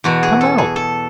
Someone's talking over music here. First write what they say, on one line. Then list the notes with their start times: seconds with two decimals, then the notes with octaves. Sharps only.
Come out!
0.04 E2 B2 F#4
0.23 G#4
0.41 A4
0.58 G#4
0.76 A4